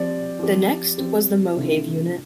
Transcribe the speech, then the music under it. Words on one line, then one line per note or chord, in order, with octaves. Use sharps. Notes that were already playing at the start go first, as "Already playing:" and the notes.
The next was the Mohave unit.
Already playing: F3 C4 G4 D5
F3 C4 G4
F3 C4 G4
C3 E3 A3 D4 F4